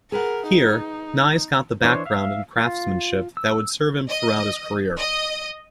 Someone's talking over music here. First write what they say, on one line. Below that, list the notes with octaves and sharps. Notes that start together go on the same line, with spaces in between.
Here Nys got the background and craftmanship that would serve him throughout his career.
G#4 A#4 B4 F#5
D#4
E3 D4 C5 C#5
E5 F5
F4
E6
D#5
D#5